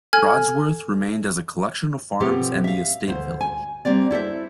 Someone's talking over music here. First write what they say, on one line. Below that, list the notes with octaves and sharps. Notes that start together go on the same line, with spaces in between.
Brodsworth remained as a collection of farms and the estate village.
A4 G#5 F6 G#6
B2 F3 C4 G4 A4
E5 F5
D2 C5
G#5
G3 A#3 C4 D5
E4 A4 C5 E5